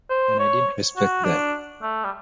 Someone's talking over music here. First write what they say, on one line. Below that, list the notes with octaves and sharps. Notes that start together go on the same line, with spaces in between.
And I didn't respect that.
C5
C#5
F#4
D4
A3
G3